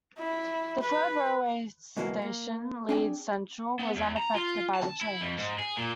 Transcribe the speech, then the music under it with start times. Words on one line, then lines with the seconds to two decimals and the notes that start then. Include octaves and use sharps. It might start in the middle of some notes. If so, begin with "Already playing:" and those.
The third railway station, Leeds Central, was unaffected by the change.
0.18 E4
0.82 B4
1.97 G#2 B2 E3 F#3 A3 A#3
2.22 A#3
2.89 C4 D4 G#4 D5 G5 G#5
3.79 B3
3.96 E2
4.17 A#5
4.35 F4
4.75 A5
5.01 E4
5.21 F2
5.38 G#2
5.59 G#4
5.77 A#2